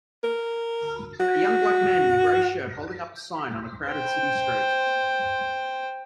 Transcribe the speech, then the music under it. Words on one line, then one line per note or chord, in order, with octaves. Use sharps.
A young black man in a gray shirt holding up a sign on a crowded city street.
A#4
F#4
C5 G5